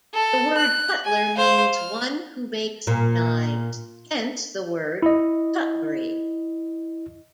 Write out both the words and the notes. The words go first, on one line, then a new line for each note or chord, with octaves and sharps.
The word cutler means "one who makes knives", hence the word "cutlery".
A4
F#6
G#5
C5 F5
F6
A#2
E4 D#5